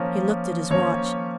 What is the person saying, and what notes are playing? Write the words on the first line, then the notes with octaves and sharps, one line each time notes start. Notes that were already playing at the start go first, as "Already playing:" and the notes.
He looked at his watch.
Already playing: F3 A#3 C#4
F3 A#3 C#4 C#5